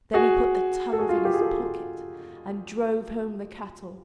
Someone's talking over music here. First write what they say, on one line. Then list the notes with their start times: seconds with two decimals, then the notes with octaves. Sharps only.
Then he put the tongues in his pocket and drove home the cattle.
0.14 F#4 G#4
0.93 A4
0.98 F#4 G#4
1.09 F4
1.17 F#4
1.25 G4
1.34 G#4
1.41 G4 A4
1.62 F4 G4